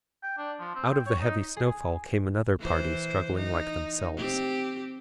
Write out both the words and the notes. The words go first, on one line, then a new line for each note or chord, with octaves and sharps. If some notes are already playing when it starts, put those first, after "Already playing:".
Out of the heavy snowfall came another party struggling like themselves.
G5
D4
F3
C4
G5
C#5
D#4
G#4
E3 C5
D#4
C4 G4